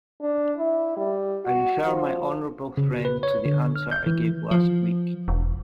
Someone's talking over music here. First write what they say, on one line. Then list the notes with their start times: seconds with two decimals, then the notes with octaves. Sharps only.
I refer my honourable friend to the answer I gave last week.
0.21 D4
0.58 E4
0.97 G3
1.45 F#4
1.85 F3
2.77 C#3
2.91 F#4
3.05 B4
3.23 C#5
3.45 D3
3.76 F6
3.91 G6
4.06 E3
4.51 F3
5.28 E1